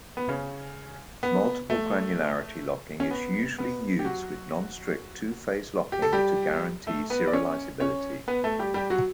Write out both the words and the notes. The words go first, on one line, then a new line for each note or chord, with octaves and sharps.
Multiple granularity locking is usually used with non-strict two-phase locking to guarantee serializability.
B3
C#3 C#4
B3
A3
C#4
B3
B3
G4
F#3 F#4
G4
A4
G3 G4
A3 A4
B3 B4
D5
C#4 C#5
C#4 C#5
B3 B4
A3 A4
G3 G4
G3 G4
F#3 F#4